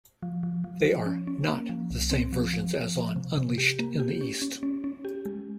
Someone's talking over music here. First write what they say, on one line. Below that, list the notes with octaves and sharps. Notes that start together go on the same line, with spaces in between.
They are "not" the same versions as on "Unleashed in the East".
F3
F3
F3
F3
C#4
C#4
A#3
F3
C2
C4
F3
F3
F3
F3
C3
C3
G4
A#3
G4
C#4
C#4
C#4
C#4
G4
G#3